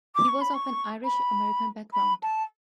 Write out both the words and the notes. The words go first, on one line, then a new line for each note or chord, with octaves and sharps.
He was of an Irish American background.
D6
C#6
B5
C#6
B5
B5
A5